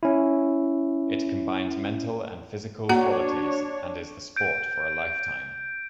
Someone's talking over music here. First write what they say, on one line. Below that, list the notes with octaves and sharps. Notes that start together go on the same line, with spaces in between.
It combines mental and physical qualities and is the sport for a lifetime.
C#4 E4
A#3 D4 F#4 C#5 F#5 A#5
G6 D7